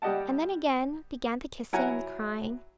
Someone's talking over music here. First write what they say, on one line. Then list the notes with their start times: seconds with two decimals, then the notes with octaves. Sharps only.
And then again began the kissing and the crying.
0.02 G3 G4 D#5 F#5 A5
1.73 F#3 E4 F#5 G#5 A#5